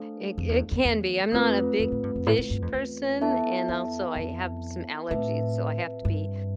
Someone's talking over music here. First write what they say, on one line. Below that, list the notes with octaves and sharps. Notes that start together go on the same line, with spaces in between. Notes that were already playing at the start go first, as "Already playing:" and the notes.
It c it can be. I'm not a big fish person, and also I have some allergies, so I have to be
Already playing: A3 D4 A4 C5 F5
F2
E2
E2
E2
F2 A3 C4 F4 B4
F2
A2
G2
F2
A2
A2
G2
F2
E2
B3 E4 A4 E5 A5
F2
F2
A2 C4 F4 B4 E5 A5
G2